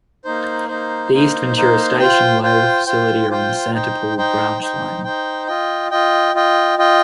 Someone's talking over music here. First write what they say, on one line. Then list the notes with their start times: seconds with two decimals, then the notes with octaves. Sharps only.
The East Ventura Station and layover facility are on the Santa Paula branch line.
0.25 A#3 D#4 C5
0.68 A#3 D#4 C5
1.12 A#3 D#4 C5
1.55 A#3 D#4 C5
1.99 F4 C5 G5
2.42 F4 C5 G5
2.86 F4 C5 G5
3.30 F4 C5 G5
3.73 D#4 C5 G5
4.17 D#4 C5 G5
4.61 D#4 C5 G5
5.04 D#4 C5 G5
5.47 F4 D#5 G5
5.91 F4 D#5 G5
6.35 F4 D#5 G5
6.78 F4 D#5 G5